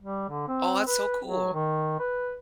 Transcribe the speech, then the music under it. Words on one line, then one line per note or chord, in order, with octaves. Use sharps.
Oh, that's so cool.
G3
D3
C4
B4
F#3
D#3
B4